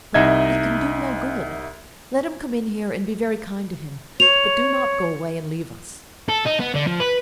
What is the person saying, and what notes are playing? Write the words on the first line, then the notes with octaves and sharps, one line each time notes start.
But it can do no good. Let him come in here, and be very kind to him; but do not go away and leave us.
C2 D#4 D#5 E5 G#6
C#5 F7
A4
D#4
B3
D3
F3
B4